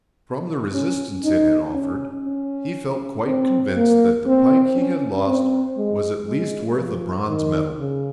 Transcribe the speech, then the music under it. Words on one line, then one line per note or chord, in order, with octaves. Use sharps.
From the resistance it had offered he felt quite convinced that the pike he had lost was at least worth a bronze medal.
C#4
D#4
C#4
C#4
C4
A#3
C4
C#4
C4
G#3
G#3
F3
D#3
C#3